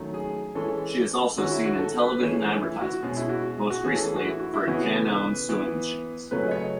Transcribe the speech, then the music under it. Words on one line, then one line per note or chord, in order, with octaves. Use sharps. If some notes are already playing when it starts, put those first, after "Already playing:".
She is also seen in television advertisements, most recently for Janome sewing machines.
Already playing: D#3 F#3 A3 C#4
G#4
E3 G#3 C#4 A4
D#3 G#3 C#4 F#4
E4
F#4
A4
B4
E3 A3 C#4 G#4
E4
F#4
B2 G#3 C#4 G#4
E4
F#4
G#4
F#4
E3 A3 C#4 G#4
A4
G#4
F#4
E4
F#4
E4
C#3 E3 B3 F#4
A4
B4
E3 B3
C#3 F#3 A3 C#4 B4
D#5
C#5